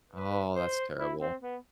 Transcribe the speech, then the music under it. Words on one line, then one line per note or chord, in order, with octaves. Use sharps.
Oh, that's terrible.
B4
C5
E4
C4
B3